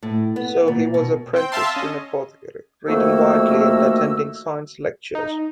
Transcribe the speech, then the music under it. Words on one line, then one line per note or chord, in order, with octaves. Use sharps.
So he was apprenticed to an apothecary, reading widely and attending science lectures.
A2
B3
A#2
B2
C4 G5
E5 F5 A5 C6
C#4 D#5
F2 D#3 A3 A#3 F#4 E6
D#4